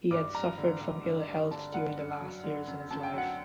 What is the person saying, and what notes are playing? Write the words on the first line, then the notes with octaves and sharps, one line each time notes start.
He had suffered from ill health during the last years in his life.
G2 D6
G3 A#5
D3
G2
G2
G3
D3 A5
G2 F#5
F#2
F#3
D3
F#2
F#2 A5
G5
F#3 F#5